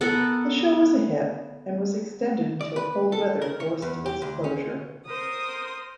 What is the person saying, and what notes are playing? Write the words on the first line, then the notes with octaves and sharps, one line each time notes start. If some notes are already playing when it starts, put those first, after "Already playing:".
The show was a hit and was extended until cold weather forced its closure.
B3 A4 A#4 F#5
D5
B4
A4
A#4
C#5
E2
G4
D2
C#4
A#4 C5 D#6